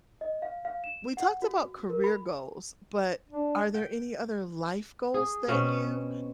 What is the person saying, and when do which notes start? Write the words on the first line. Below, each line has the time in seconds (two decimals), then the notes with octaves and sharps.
We talked about career goals, but are there any other life goals that you,
0.21 D#5
0.42 F5
0.65 F5
0.84 E7
1.17 F#5
1.42 F#4
1.90 A#4
2.04 B5
3.30 D4
3.74 G5
5.14 G#4
5.48 B2 C4 C#4